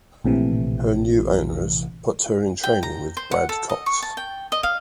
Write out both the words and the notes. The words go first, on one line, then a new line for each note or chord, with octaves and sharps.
Her new owners put her into training with Brad Cox.
A#1 A2 C3 E3
G5
A#5
C5
F#5
A4
D#5
C#6
A5
G5
D#5
F5